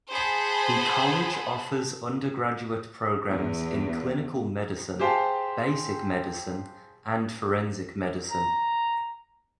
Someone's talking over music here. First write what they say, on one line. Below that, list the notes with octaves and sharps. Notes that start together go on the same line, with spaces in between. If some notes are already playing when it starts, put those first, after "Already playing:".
The college offers undergraduate programs in Clinical Medicine, Basic Medicine and Forensic Medicine.
G#4 C5 F#5 A5 B5
E2
G4 G#4 C5 F5 G5 A5
A#5